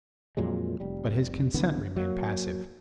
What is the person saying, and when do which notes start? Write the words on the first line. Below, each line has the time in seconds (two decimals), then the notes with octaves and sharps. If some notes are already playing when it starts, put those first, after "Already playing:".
But his consent remained passive.
0.37 F2 A#2 F#3 G#3
0.80 F1 G3
1.54 C2 D3 E3 B3
1.96 F#3 A#3